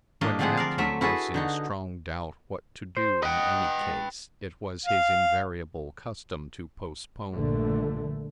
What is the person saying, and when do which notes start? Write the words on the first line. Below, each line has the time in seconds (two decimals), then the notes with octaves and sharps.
When Matthew was in strong doubt what to do in any case, it was his invariable custom to postpone.
0.21 A2 A3 A#3 D4 D#5
0.39 D3 F3 A3 C4 G#4 F#5
0.57 A#4 D5 F5
0.78 F#3 A3 E5
1.01 E4 F#4 G#4 A4 B4
1.34 D3 D#4 F#4
2.97 C5
3.23 B4 D#5 F#5 G5
4.86 F5
7.33 A#1 G2 A#2 D3 A3